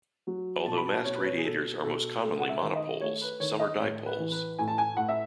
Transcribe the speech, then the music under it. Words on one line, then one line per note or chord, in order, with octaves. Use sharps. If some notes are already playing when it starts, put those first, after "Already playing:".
Although mast radiators are most commonly monopoles, some are dipoles.
F#3
B2 A5
B5
A5
B2 C#5
B4
C#5
G#4
B2 A4
B2 A4
A3 A4
F#5
E5
D#3
D#5
A3 C#5
B4
D#3 C#5
D#5
A2 C#5
B4
E3
B4
A2 G#5
A5
G#5
A2 F#5
E5